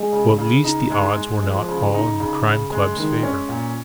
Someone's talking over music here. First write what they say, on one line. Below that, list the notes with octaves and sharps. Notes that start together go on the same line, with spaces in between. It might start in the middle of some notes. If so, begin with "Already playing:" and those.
Well, at least, the odds were not all in the Crime Club's favour.
Already playing: G#3
C#3
C#3
D#4
G#3
G#3
F3 G#3
C#3
D#4
C#3
C#3
G#3
D#3 G#3
C#4
A#2